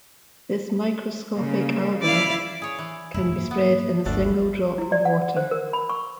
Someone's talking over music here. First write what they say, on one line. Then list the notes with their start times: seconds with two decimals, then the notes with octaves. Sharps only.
This microscopic alga can be spread in a single drop of water.
1.34 C#3 A#3
2.02 E4 D5 F5
2.62 G#4 C#5
2.79 E3
3.14 F#2 F3 E4
3.32 G#2 A#3
3.51 B3
4.05 G1 D2 B2 A3 D4
4.78 E4
4.92 D5
5.05 F#5
5.37 C5
5.51 A#4
5.73 B5
5.89 C#6